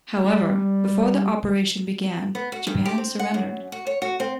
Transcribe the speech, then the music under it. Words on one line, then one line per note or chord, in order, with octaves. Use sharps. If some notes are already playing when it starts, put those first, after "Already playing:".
However, before the operation began, Japan surrendered.
G3
B3
F#4
G2
G4
C4
F#5
F#2
F#4
C#5
F#4
C4